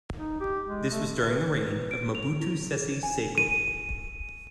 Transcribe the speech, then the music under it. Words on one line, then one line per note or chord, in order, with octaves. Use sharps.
This was during the reign of Mobutu Sese Seko.
D#4
G4
G#3
A3
B4
B4
D7
F7
E4
G#4
G#5
D#7